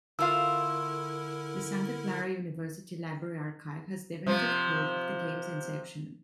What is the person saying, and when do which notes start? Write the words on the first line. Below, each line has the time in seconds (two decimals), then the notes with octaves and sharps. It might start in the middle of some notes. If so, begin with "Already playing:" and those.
The Santa Clara University Library Archive has definitive proof of the games inception.
0.19 D3 A3 E4 F4 A#4 F5 E6
4.26 C3 F3